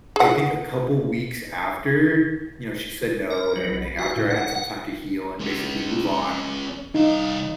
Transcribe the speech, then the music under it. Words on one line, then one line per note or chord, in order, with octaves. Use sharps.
I think a couple weeks after- you know, she said no and everything- after I had some time to heal and basically move on,
G#4 F#5
A#4
F#3
B1
F#4
A2
F#5
F#5
G#3 C#4
C2 D#4 F5